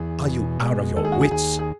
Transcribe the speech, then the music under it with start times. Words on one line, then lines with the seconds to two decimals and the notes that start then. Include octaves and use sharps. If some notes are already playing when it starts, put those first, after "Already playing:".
Are you out of your wits?
Already playing: E2 G#4
0.27 B2
0.63 G#3
0.96 D#2 A4
1.05 G#4
1.12 F#4
1.21 G#4
1.31 D#2 G#4
1.59 G#4